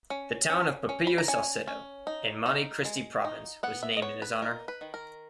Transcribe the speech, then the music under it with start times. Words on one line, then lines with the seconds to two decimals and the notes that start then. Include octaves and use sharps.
The town of Pepillo Salcedo, in Monte Cristi province, was named in his honour.
0.10 C#4
0.50 C#4
0.89 C#4
1.07 B5
1.18 A#5
1.28 C#4 G#5
1.68 C#4
2.07 D#4
2.46 D#4
2.85 G#3
3.25 D#4
3.63 B3 F#5
3.83 E5
3.97 D#5
4.02 B3 C#5
4.22 B4
4.42 D#4 A#4
4.68 B4
4.81 D#3
4.94 A#4